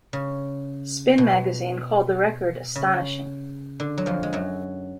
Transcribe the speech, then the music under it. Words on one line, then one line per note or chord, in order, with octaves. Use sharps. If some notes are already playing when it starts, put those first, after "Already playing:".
"Spin" magazine called the record "astonishing".
C#3
B2
C#3
D3
F#3
F2 F3
G#3
F#2 F#3